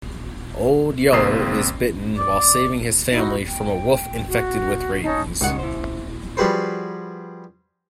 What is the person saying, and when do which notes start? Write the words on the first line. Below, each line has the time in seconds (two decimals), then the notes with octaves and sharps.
Old Yeller is bitten while saving his family from a wolf infected with rabies.
1.12 G#1 C3 A#3 C4 D#6 C7
2.17 D5
3.11 D#4 E4 F#4 E5
3.49 G5
4.27 F#4
5.04 C#4 D#4 A5 D#6
5.41 C#2 G3 D#4 C#5 F#5
5.59 E4 C5
6.37 F3 G3 F#4 G#4 B4 C5